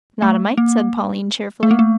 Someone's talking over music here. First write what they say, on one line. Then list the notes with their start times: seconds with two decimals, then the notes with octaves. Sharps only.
"Not a mite," said Pauline cheerfully.
0.22 A3
0.58 A#3
1.63 A3
1.71 A#3
1.79 A3